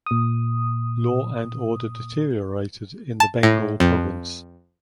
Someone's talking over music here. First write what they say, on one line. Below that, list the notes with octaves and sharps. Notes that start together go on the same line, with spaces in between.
Law and order deteriorated in the Bengal province.
A#2 D#6
A5
A2
F2